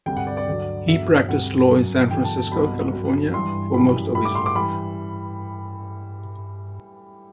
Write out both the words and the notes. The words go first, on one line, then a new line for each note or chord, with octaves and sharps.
He practiced law in San Francisco, California for most of his life.
D2 C3 G3 G5
F#5
D5
D5
D2 D3 F#3
E2 D3 F#3 E5
D2 C3 G3 F#5
F#2 F#3
E2 D3 F#3 G5
A5
A5
C2 B2 F#3 B5
F#2 F#3
G2 E3 G3 C6
F#2 E3 G3 B5
A2 G3 B5
D6
C6
D6
E3 G3 B5